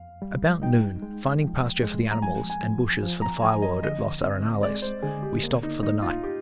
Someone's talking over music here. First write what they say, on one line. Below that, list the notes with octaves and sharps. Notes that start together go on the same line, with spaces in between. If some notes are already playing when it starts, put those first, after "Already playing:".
About noon, finding pasture for the animals and bushes for firewood at Los Arenales, we stopped for the night.
Already playing: F2 F5
G3
D#4 G5
G#3
F3
G#3
A#5
F3 G#5
G#5
F3
F3
A#5
F3 G#5
D#5
D3 D#5
C4
G#3 D5
C5
D3 G#4
G4
A#3
D#4
G#2 D#4
F4
G4